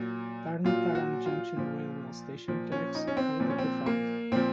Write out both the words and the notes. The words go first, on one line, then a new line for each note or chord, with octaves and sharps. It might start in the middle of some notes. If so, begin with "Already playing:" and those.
Tarn Taran Junction railway station tracks are electrified.
Already playing: A#2 F#3
A#2 F#3 F4
F#4
F4
A#2 F3
A#2 F3
C#4
D#4
C#4
C4
A#2 F3 C4
C#4
C4
A#3
A#2 F3 C4